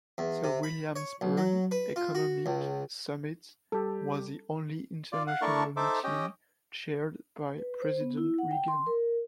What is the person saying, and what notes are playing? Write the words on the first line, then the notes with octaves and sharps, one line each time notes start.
The Williamsburg Economic Summit was the only international meeting chaired by President Reagan.
E2
C3
B5
C#5
B1
F#3
B4
F4
F#4
C#2
G3 G4 A4
F4 D5
F5 F#5
A3 D4 E4 A#4 A5 C#6
D#4 A4 C5 E5 D6
C#4 G4 D#5 G5
B4
C5
B3
E4
F#5
G5
C6
A#4